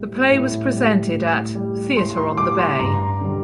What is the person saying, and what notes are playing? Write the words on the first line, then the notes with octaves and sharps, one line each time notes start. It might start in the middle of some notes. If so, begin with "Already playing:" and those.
The play was presented at Theatre on the Bay.
Already playing: A2 G3
A2
G3
A2
G3
A2 C6
C6
G3 D6
C6
G2 A#5
D3 G3